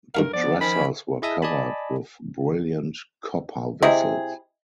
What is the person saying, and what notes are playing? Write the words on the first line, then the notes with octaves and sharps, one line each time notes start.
The dressers were covered with brilliant copper vessels.
G2 A3 A#4 F5
F3 B3 D5
D#3 F3 C#4 B5
E4 G#4 D#5 E5 A5 D#6
D5 D#5 G#5 A5 B5
C3 E4 G#4 D#5 E5